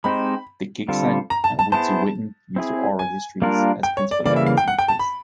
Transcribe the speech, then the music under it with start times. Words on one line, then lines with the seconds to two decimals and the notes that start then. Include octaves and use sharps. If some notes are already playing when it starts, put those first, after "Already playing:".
The Gitksan and Witsuwit'en used their oral histories as principal evidence in the case.
0.04 G#3 C4 D#4 G4 C5 B5
0.88 D3 G3 C4 F4 A4
1.30 A#5
1.44 A5
1.59 A5
1.72 B3 E4 G#4 C5 A5
2.56 C4 E4 G#4
2.99 G#5
3.42 G3 A#3 D4 F4 A#4
3.83 G5
3.97 C#5
4.11 D5
4.26 C#3 E3 G3 A#3 D5
4.36 E5
4.46 F5
4.58 G5
4.68 F#5
4.79 G5
4.88 A5
4.99 B5